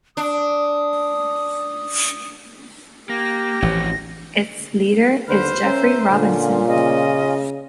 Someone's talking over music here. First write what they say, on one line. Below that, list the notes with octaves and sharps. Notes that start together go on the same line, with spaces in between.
Its leader is Jeffery Robinson.
D4 D#6
A#3 G4 A#6
A1 E3 F3 C4 F#4 C#5
D#2 D3 B4 C5 F6
C#4 A#4 E5 C6
A#2 D3 C#4 F4
C#3 D#5